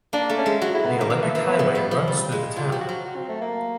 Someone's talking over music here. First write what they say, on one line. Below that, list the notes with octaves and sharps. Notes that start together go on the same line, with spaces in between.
The Olympic Highway runs though the town.
A#3 D4
A3
C#4
G#3
F#3 F#4
E4
B3
D#3 A#3
E3 A#3
A3
E3 A#3
B3
F3
G3
F3
G3 C4
G#3
F#3 F4
F3 G4
F#4
F#3
F#4
C4
A3
A#3